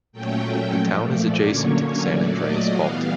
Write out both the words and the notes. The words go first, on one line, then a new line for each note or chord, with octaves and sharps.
The town is adjacent to the San Andreas Fault.
A#2 F#3 A3 C#4 G5
A#2 F3 A3
D5
D3 F#3 A#3 C#4 C#5
A#2 F#3 A3 D5
D#5
E3 G3 B3 F5